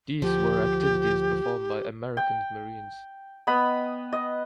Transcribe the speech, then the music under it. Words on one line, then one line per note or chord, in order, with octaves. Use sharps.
These were activities performed by American Marines.
D2 F3 G4
G5
B3 D#5 B5
D#5